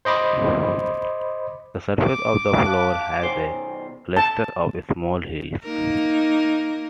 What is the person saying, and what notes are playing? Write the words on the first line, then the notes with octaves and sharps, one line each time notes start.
The surface of the floor has a cluster of small hills.
C5 D#5 B5 D6
D6
F5 A5 F#6
B2 D#3 C5 G#5
A5
A#3 D#4 A#4